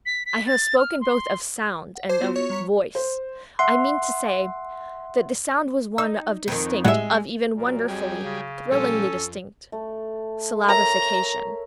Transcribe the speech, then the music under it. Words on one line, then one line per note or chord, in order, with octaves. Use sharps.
I have spoken both of "sound" and of "voice." I mean to say that the sound was one of distinct--of even wonderfully, thrillingly distinct--syllabification.
B6
B6
A6
F6
C6
F#5
C5 A5 D6 G#6
B3 F4 F#4
C#5
G3 A#5 B6
C5
E5 F#5 C6
D#4 E6
F2 D#3
A2 G3 G#3 E5 F#5
A#2 F#3
F2 G3 G#4
C#3
A#2 F3 G3 C#4 A4
F2
A3
A#4 C#5 E5 A#5